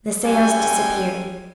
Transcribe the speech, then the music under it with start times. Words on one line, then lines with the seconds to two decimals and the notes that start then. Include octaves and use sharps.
The sails disappeared.
0.24 F#2 G3 G#3 A4 G5 G#5